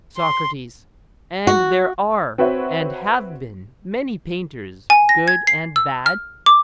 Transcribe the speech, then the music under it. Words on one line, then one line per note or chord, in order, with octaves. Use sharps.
SOCRATES: And there are and have been many painters good and bad?
C6
F#4
C4 F#4 B4 C#5 E5
G#5
A#6
G#6
C7
E6
F6
D6